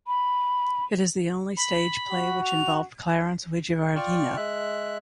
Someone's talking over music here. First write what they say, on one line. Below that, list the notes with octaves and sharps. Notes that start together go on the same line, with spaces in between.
It is the only stage play which involved Clarence Wijewardena.
B5
B5
F#4
F7
F4 D5 G5 C#6 F6
G#3 E5 F#6